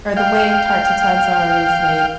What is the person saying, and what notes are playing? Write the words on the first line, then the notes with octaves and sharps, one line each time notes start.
or the way tarte tatin's are always made
F5 G5